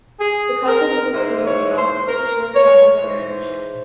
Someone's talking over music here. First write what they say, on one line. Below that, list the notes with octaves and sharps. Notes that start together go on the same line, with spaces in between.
The couple moved to Allston shortly after their marriage.
G#4
A#4
G#2 E3 C5
C#5
C5
A#4
C#5
G#2 E3 C5